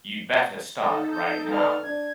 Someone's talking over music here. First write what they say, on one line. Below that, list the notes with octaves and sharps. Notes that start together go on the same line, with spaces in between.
You'd better start right now.
D#4 A4
G6
B4 D5 F6
D4 G#6